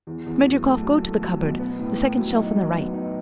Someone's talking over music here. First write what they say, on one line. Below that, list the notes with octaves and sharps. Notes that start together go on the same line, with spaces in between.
Smerdyakov, go to the cupboard, the second shelf on the right.
E2
E2
F#3
A3
F#3
A3
F#3
B2
B3
A2
A2
F#3
D#4
F#3
B3
D#4